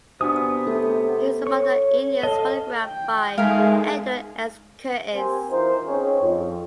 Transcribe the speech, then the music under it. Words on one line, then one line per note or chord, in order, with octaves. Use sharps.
He was among the Indians photographed by Edward S. Curtis.
C3 B3 D4 F#4 G#5 D#6
A3
C#5 C#6
A4 D#5 F5
G5
G#3 A3 D#4 G#4 A#4 F5
A#3 C4 G4 C5 G#5
E3 D#4 F4 A#4 C5
C4 C#4 D#4 G#4 C#5
F2